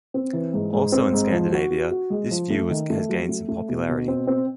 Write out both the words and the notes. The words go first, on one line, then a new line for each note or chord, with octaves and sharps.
Also in Scandinavia, this view has gained some popularity.
C4
E3
G#2
G#2
C4
G#2
F3
F#4
F#4
F#4
G#3
F3
A3
D#3
A3
F#3
A3
A3
B2
B2
C4
C4